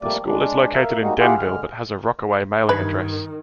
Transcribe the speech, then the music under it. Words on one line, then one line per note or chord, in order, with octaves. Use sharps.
The school is located in Denville but has a Rockaway mailing address.
F2 G3 A3 A#3 D5
G#3 D4
A#4 E5 F5
G3 G#3 A#3 D#4 F#4
E4 F4 G4 G#4 F5 F#5
D3 G#3 F6
G2 D#3 B4 G#6